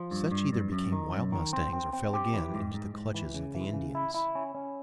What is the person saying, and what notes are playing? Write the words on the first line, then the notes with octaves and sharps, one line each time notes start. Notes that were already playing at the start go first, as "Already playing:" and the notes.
Such either became wild mustangs or fell again into the clutches of the Indians.
Already playing: F3
G2
G2
G2
F#2
D#3
F#2
D#3
C4
C4
C4
G4
E3
G#2
G#2
G#2
E3
C#3
E3
C#3
E4
E4
C#4
C#4